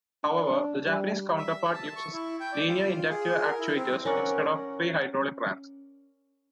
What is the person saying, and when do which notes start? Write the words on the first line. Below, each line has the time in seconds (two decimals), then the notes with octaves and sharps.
However, the Japanese counterpart uses linear-inductive actuators instead of three hydraulic rams.
0.24 D4
0.85 G3
1.38 E5
1.74 A5
1.96 C#6
2.13 E4
2.40 G5
2.52 D5
2.68 F4
3.10 G#4
3.43 A#4
3.59 E4
3.75 C4
4.05 C#4 A#4 D5 F#5